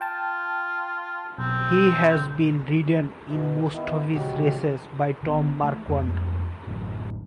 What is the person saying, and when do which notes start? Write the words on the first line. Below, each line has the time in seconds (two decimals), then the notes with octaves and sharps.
He has been ridden in most of his races by Tom Marquand.
0.01 F4 G5 A5
1.38 B1 C4
3.30 B2 E3 E5
3.73 D#3 B3 E4
4.13 A#1 C#3 G#3 F#4 G4
5.23 D3 B3
5.63 A3
5.88 F2 G#2 A3
6.67 A1 F#2 A2 D3